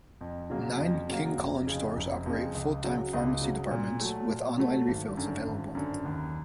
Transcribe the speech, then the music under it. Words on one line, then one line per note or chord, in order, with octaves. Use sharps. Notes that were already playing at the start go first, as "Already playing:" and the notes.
Nine King Kullen stores operate full-service pharmacy departments, with online refills available.
F2
C#3 F#3 A#3
F2
C#3 F#3 A#3
F1
F2 C#3
F1
F2 C#3
C#2
C#3 F#3
C#2
C#3 F#3
A#2
F#3 A3
A#2
F#3 A3
G#1
F#2 D3
G#1
F#2 D3
D#2